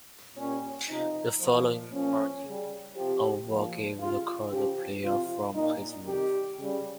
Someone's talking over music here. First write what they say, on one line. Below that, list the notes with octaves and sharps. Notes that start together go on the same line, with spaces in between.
The following morning, Urwah gave the call to prayer from his roof.
A#2 G3 C#4
C3 F3 D#4
A#2 F3
A#2 F3 C#4
C#3 G3
C3 F3 G4
A#2 F3
C#3 G3 F4
C#3 F3 G4
C3 F3 F4
A#2 G3 D#4
C3 D#3 G3 G4
C#3 G3